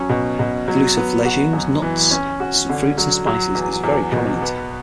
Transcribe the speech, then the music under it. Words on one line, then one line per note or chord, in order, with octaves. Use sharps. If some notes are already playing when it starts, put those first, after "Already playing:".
The use of legumes, nuts, fruits and spices is very prominent.
Already playing: F#3 C#4
B2
B2
F#3
B3
F#4
F#2
E3
C#4
F#4
D3
F#3
F#3
E2
E2
B2
B3